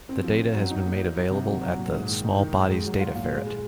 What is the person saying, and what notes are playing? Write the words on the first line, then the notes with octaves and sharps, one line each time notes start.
The data has been made available at the "Small Bodies Data Ferret".
C4
F3
C4
F#3
D#4
A#3
D#4
F#3
C3
F#3
F#3
A#2
G#2
D#3
D#4
D#3
G#2
G#3
F#3
F4
A#2
G#3
G#3